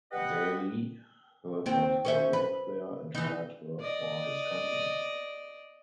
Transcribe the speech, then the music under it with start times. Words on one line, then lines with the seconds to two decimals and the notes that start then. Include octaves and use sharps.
Daly heard of her work there and hired her for his company.
0.11 G4 B4 D#5 F#5
1.66 D#2 C4
2.05 C#4 C5 E5
2.33 B4
3.15 E3 D#4
3.80 D5 D#5